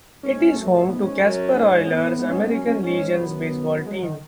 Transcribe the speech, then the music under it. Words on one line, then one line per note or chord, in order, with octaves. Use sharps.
It is home to the Casper Oilers American Legion Baseball team.
G#2 C#4
F#2 A3
G#2 B3
C#4
F#2
G#2
A2 B3
G#2 B3
C#4
B3
F#2 C#4
C#4
G#2 C#4
C#4
F#2 B3
G#3
F#3
D#3